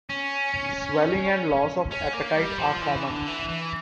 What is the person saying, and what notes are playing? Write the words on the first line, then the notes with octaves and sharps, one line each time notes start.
Swelling and loss of appetite are common.
C#4
C#4
A#3
G3
F3
E3
D3
E3
E3